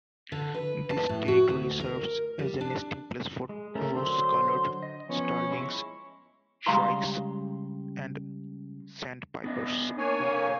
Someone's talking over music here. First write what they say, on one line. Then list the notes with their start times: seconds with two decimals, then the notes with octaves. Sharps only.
This territory serves as a nesting place for rose-coloured starlings, shrikes, and sandpipers.
0.32 D3
0.54 B4
0.90 A5
1.09 A2
1.28 F#4
1.50 D2
1.80 A#4
2.39 G3
2.61 D4
3.49 G#3
3.75 A3 C#4 A#4
3.95 D3 F#3 C5 E6
4.82 D#5
5.09 F3 B3 C#4
5.51 G#3 E4 C#6
6.66 C#3 G3 G#3 F5 A#5 C6
9.44 B3 D4 D#5
9.98 A#3 D4 C#5 G#5
10.20 C3 F5